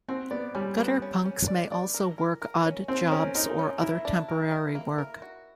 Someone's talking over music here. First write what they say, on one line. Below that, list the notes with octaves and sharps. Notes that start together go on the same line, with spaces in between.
Gutter punks may also work odd jobs or other temporary work.
C4 F#4
B3 D5
G3 C#4
B3 A#4
C#4
C#4
D5
D5
A#4
A#4
A#4
C#4
C4 F#4
C#4 A#4
D#4 A#4
C#4
E4 A#4
D4
A#4
A#4
A#3
A#4
F#4